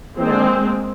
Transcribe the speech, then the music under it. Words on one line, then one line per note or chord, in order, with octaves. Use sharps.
You know?
G#3 A#3 C4